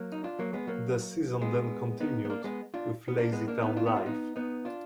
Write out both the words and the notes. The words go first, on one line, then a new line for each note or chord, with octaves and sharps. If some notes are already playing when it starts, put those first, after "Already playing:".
The Season then continued, with LazyTown Live!
Already playing: F#3 A#3
D#4
D4 F4
F#3 A#3
G#3 B3
F#3 A#3
G#3 B3
B3 D#4
B3
A#3 D4
G#3 B3
D4 F4
B3
A#3 D4
G#3 B3
A#3 D4
B3 D#4
D4 F4
B3 D#4
D4 F4
B3 D#4
B3 D#4
D4 F4